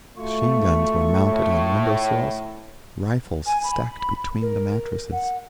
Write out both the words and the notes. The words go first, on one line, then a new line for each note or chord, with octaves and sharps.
Machine guns were mounted on window-sills, rifles stacked between the mattresses.
A3 F4 F#4 C#6
A2
G#5
B5
A#4
F#5